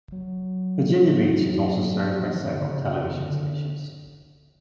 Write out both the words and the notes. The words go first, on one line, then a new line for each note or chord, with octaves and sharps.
Virginia Beach is also served by several television stations.
F#3
F#3
F3
D#3
D3
C#3
D#3
D3